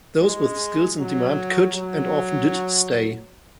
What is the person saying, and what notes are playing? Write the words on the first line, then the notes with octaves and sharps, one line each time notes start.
Those with skills in demand could - and often did - stay.
G#3
F#3
F#3